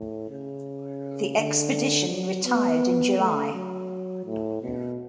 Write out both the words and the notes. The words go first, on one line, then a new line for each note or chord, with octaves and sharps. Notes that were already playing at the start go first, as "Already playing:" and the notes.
The expedition retired in July.
Already playing: A2
C#3
D3
F#3
B3
A3
F#3
A2
B2